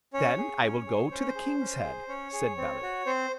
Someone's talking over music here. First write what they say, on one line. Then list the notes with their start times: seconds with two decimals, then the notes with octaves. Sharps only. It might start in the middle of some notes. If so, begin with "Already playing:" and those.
"Then I will go to the 'King's Head,'" said Bellew.
0.14 C#4 C#5
0.38 G#4
0.62 C#4
0.87 G#4
1.11 C#4 C5
1.19 C#5
1.28 C5
1.35 G#4
1.60 C#4
1.84 G#4
2.08 C#4 C#5
2.33 G#4
2.57 C4
2.82 F#4
3.06 C4 C5